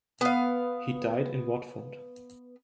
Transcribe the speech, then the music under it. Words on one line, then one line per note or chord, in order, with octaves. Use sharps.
He died in Watford.
B3 F5